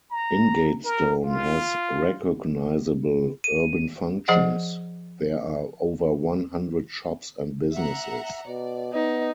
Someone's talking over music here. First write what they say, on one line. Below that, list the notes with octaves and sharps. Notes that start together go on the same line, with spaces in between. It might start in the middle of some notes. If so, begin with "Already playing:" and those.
Ingatestone has recognisable urban functions; there are over one hundred shops and businesses.
A#5
A#4
F4
D#7
F3 G#4 C5 D#5 F#5
E5 F#5 A#5
B2 D5
B3 D#4